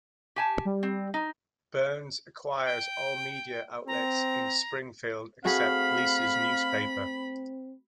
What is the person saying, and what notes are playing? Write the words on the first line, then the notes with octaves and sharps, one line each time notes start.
Burns acquires all media outlets in Springfield except Lisa's newspaper.
G4 G#5 A5
G3
C4
D#4
G5
C4 A#5
A3 C4 F#4 G#4 F5 B5